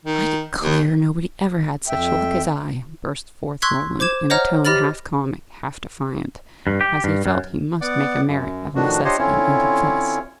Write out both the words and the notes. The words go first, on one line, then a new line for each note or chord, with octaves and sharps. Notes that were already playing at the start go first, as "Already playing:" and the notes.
"I declare nobody ever had such luck as I," burst forth Roland, in a tone half comic, half defiant, as he felt he must make a merit of necessity, and confess.
D#3
D#2
F2 E5 G5
C6 C#6 E6 F#6 G#6 B6
C5 D6 G#6 E7
C5 C#5 D#5 F#5 A#5 F6
G4 D#5 B5 F6 A6 F#7
G2
G4
G2
F#2
B3 D5 F#5 D6
F#2
A2 D#3 F3 D4 F#4
D4 F4 G4 C5 C#5 D#5
D3 C4 C#4 E4 F4 C#5